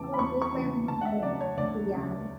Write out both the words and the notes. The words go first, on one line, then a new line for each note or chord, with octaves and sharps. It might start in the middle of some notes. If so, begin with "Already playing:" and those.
that would break my heart, yeah, um,
Already playing: E2 C#3 E3 A5 D6
B5
E2 C#6
C#6
C#3 E3
D2 A5
F#5
E5
C#3 F#3 D5
C#5
D2 D5
C#3 F#3